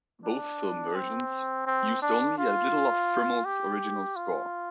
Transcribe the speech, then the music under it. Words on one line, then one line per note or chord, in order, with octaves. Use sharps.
Both film versions used only a little of Friml's original score.
D4
C4
C4
D4
F4
G4
F4